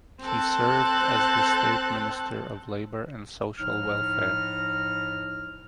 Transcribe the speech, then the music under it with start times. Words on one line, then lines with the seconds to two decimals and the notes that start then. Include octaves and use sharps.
He served as the State Minister of Labor and Social Welfare.
0.21 C4 A4 F#6
3.58 A2 F3 D#4 F6